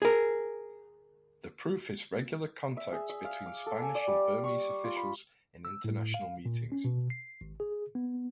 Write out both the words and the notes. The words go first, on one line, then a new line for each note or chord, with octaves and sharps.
The proof is regular contacts between Spanish and Burmese officials in international meetings.
G#4 A#4
E5
G#4
E5
F5
D6
A4
G#5
D5
G3
C#6
F4
B5
E6
A2
F5
A#2
C#4
B2
C7
G#1
G#4
B3